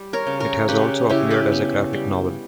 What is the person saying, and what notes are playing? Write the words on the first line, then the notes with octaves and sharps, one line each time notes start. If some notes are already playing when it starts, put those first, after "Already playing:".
It has also appeared as a graphic novel.
Already playing: G3
A#4 C#5
C#3
A#4 C#5
C#3 G4 B4
C#3 E4 G4
G4 B4
B3
G3